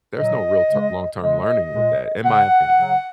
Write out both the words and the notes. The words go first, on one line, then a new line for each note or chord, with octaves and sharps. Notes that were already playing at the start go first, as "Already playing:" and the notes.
There's no real t long-term learning with that, in my opinion.
A#2 F#3 D#5
C#3 G#3
C#3 G#3 D#5
A#2 G#3
C#3 G#3 F#5
C#3 F#3